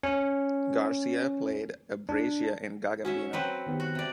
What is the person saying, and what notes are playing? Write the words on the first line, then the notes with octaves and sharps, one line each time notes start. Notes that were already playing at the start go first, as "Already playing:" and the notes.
Garcia played Abresia in "Gagambino".
C#4
D4
C#4 F#4 C#5 E5
F#3 C4 B4
D#3 B3 G4
F#4
C3 D5